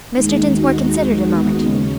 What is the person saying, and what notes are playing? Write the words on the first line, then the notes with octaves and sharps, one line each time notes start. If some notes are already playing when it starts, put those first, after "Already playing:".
Mr. Dinsmore considered a moment.
D#2 D#3 G#3 D#4
F#4
D#4
B3
D#2 C#3 G#3 C#4